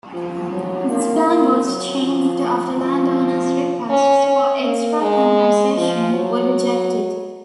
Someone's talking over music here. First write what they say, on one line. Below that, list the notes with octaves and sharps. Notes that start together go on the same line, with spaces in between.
This plan was changed after landowners' requests for extra compensation were rejected.
F3
F#3
A#3
A#3
F#3
F3
F3
C#4
C#4
A#3
G#3
F3
F#3